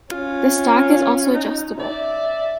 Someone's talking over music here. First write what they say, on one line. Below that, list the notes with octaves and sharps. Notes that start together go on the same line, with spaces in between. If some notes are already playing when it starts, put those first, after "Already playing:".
The stock is also adjustable.
C#4 F4
D#4
D5 E5